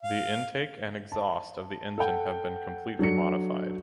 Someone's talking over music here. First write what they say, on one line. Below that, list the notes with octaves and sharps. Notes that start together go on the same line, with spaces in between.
The intake and exhaust of the engine have been completely modified.
F5
A5
A4 F#5 G5
F#3 D4 A4 C#7